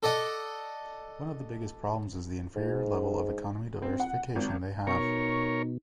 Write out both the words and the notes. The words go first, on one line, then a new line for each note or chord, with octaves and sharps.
One of the biggest problems is the inferior level of economy diversification they have.
A4 D5 D#5 F#5
G#2
C4
F#5
G#1
B2 D#4 A#4 C#5 C#6